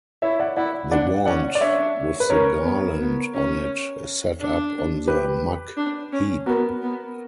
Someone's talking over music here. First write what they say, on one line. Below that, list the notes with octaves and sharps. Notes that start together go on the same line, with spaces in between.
The wand with the garland on it is set up on the muck-heap.
E4 C#5 E5
D5 F#5
E4 D5 F#5
D4 D5 F#5
C#4 D5 F#5
D5
D4 C#5 E5
B4
C#4 A#4 C#5
B3
B3
C#4
D4
G4 B4
D4
C#4
B3 F#4 A#4
B3